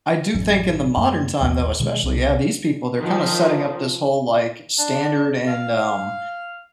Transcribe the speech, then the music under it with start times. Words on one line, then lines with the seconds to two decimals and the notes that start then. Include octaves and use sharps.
I do think in the modern time, though, especially, yeah, these people, they're kinda setting up this whole, like, standard and, um,
0.35 A1 F#2
0.97 F#2 A#3
1.41 A1 D#2
1.80 B2 D#3 F#3 G#3
2.04 C2
2.99 D#3 F3
4.78 D4
5.48 F5